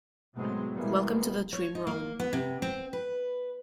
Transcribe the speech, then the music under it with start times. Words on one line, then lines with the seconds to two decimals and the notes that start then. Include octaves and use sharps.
Welcome to the dream realm.
0.36 A2 C3 F#3 G#3 B3 C4
0.75 B2 E3 G3 G#3 A#3 B3
1.53 C#5
1.75 D#4
1.87 A#3
2.20 B3
2.33 C3
2.62 C4
2.93 B4